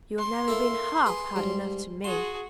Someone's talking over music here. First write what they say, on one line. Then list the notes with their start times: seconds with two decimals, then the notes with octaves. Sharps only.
You have never been half hard enough to me.
0.19 C6
0.48 A#3 E4 A4
1.06 G#4 B4
1.36 G#2 G3
2.04 F#4 G#4 C6